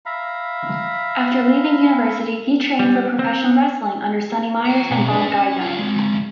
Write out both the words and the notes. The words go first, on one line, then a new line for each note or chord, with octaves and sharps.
After leaving university, he trained for professional wrestling under Sonny Myers and Bob Geigel.
E5 F5 A#5 B5
G3
C4
F#5 A#5
B2 C4
D4 B4
C#4
C#4 F4
G#3 C4